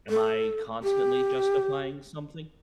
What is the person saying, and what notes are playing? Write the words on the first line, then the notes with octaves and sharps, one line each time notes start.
Am I constantly justifying something?
A4
G4